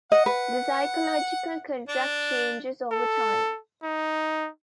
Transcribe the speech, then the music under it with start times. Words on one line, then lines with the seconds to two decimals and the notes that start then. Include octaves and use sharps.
The psychological contract changes over time.
0.12 D#5 F#5
0.26 B4
1.89 D4
2.92 A4
3.83 D#4